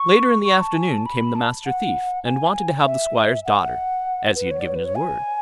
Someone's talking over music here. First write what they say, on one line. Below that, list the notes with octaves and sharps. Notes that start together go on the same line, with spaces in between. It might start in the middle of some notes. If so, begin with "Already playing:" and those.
Later in the afternoon came the Master Thief, and wanted to have the Squire's daughter, as he had given his word.
Already playing: C#6
C#6
A5
G#5
A5
B5
A5
F#5
G#5
E5
F#5
F#5
B4
C#5
D5
C#5
B4
C#5
G#5